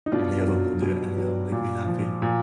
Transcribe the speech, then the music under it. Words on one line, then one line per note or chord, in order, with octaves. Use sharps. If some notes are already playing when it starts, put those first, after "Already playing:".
Any of them will do it, any of them make me happy.
D#4
B2 D4 F4
F#3
B2
F#3
A#2
F3
A#2